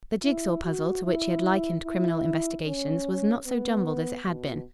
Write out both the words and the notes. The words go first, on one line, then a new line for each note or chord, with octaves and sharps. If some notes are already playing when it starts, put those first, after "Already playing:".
The jig-saw puzzle to which he had likened criminal investigations was not so jumbled as it had been.
E4
F#4
E4
E4
C#4
B3
B2